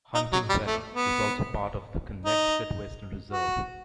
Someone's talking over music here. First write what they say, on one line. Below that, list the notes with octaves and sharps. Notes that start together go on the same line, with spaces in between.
Hunting Valley is also part of the Connecticut Western Reserve.
D#4
F#3
G3
A3
B3
D#4
F#4